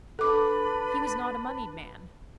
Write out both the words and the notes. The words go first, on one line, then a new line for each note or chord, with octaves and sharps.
He was not a moneyed man.
D4 A4 B4 B5 D6